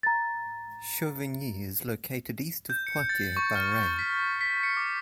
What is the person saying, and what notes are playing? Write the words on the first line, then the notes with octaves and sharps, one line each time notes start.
Chauvigny is located east of Poitiers by rail.
A#5 A6
G6
C#7
A6
C#6
F6
A6
B6
B6
C#7
D6